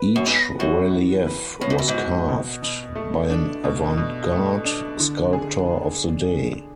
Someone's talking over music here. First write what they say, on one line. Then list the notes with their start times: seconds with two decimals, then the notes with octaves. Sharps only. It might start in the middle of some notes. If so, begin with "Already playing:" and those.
Each relief was carved by an avant-garde sculptor of the day.
Already playing: B4
0.16 F#2
0.26 G#2 B3
0.59 F#2 F#4
0.94 E3
1.26 B4
1.61 A2 B3
1.70 G#2
1.78 F#2
1.88 G#2
1.94 F#4
2.29 B2
2.62 B2
2.95 A3
3.30 D4
3.64 B2
3.97 B2
4.32 A3
4.65 D4
5.00 D3
5.33 G#4